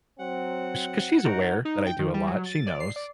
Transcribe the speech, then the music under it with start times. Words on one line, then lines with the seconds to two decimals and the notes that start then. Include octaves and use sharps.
Sh 'Cause she's aware that I do a lot, she knows.
0.19 F#3 C4 F#5
1.25 D#4 F#4 A#4
1.65 D#4
1.86 G5
1.99 D#3
2.14 G3
2.27 F#3
2.46 A6
2.66 D5
2.80 C7
2.96 D5